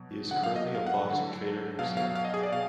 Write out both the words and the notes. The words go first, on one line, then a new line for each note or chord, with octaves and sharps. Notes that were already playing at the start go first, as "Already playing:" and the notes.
He is currently a boxing trainer himself.
Already playing: B2 F#3
D3 F#3 F#5
F5
D#5
F5
F#5
D3 F#3
B2 F#3 F5
F5
F5
D#5
G#4
D5
B2 F5